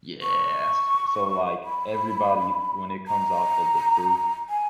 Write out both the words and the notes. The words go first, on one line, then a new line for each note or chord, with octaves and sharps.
Yes, so like everybody when it comes off of the truth,
C#6
B5
A#5
G#5